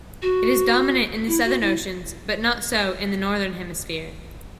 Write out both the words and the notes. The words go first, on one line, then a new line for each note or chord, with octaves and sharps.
It is dominant in the Southern Oceans, but not so in the Northern Hemisphere.
F#4
E4
F#4
E4